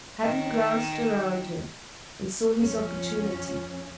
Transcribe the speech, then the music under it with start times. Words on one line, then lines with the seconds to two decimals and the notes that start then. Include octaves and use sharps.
Hadden glanced around him, and saw his opportunity.
0.23 D#3 D#5 G5
2.60 F3 C#4